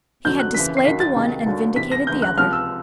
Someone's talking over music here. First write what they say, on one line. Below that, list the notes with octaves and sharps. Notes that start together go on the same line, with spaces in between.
He had displayed the one, and vindicated the other.
F1 F2 D3 F#3 G6
F#6
D#2 C#3 E3 B6
C7
D#2 D#3 F#3 B6
A6
C#2 C3 D#3 F#3
D#2 D3 F#3
D2 C3 E3 B6
A#6
D2 C#3 E3 G6
F#6
C#2 C3 F3 F6
E6